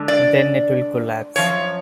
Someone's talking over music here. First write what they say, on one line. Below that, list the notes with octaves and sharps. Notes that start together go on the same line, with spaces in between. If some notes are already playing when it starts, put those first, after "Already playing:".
Then it will collapse.
Already playing: D3 G#3 D4
D5
F#2 F3 C#5